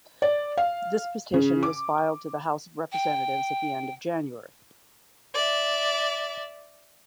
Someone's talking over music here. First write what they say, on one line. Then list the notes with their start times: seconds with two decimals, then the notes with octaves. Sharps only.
This petition was filed to the House of Representatives at the end of January.
0.22 D5
0.57 F5
1.34 C#3
1.63 D6
2.92 G5
5.34 D5 E5